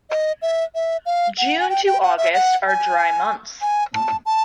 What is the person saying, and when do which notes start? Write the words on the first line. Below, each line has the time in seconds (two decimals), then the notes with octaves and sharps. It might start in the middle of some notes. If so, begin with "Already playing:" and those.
June to August are dry months.
0.10 D#5
0.42 E5
0.75 E5
1.06 F5
1.38 F#5
1.59 G#5
1.70 G5
1.87 G5
2.03 F#5
2.18 E5
2.34 F#5
2.67 G#5
3.61 G#5
3.94 A5
4.26 A5